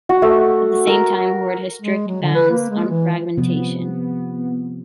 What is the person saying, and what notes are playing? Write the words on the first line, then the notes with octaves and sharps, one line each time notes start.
At the same time, Hoard has strict bounds on fragmentation.
F#4
A3
A#4
G#3
F#3
D3
B4
A#3
G#3
E3
C3 F3 B3